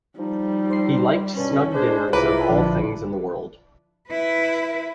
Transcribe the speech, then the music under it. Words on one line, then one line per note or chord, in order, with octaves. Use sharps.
He liked snug dinners of all things in the world.
F3 G3 D#4
C5 C6 C7
G2 B2 C#4 B4 A5
G#3 D4 G#4 C5
C2 G#2 E4 F4 B4 A#5 D6
A#1 D3 F3 D4
E4 B4